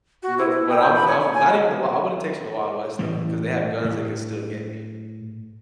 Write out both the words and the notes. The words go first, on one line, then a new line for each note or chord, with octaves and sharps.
but but I'm I'm not even the wild, I wouldn't take it to the wild west though, cause they have guns they can still get me.
F#4
E4
E4
G5
C5
B5
C#5
C#5
G#5
D#5
A2 E3 G3
A2